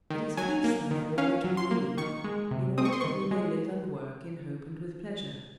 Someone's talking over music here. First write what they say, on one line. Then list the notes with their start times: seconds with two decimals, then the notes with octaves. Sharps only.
It is Peace, therefore, which we need in order that we may live and work in hope and with pleasure.
0.10 D#3
0.37 F#3 G#5
0.64 A#3
0.91 D#3
1.18 C#4 F5
1.44 F#3
1.57 C6
1.71 A#3
1.97 D#3 C#6
2.24 G#3
2.51 C3
2.78 C4 D#6
2.85 C#6
2.93 C6
3.01 D#3 C#6
3.31 G#3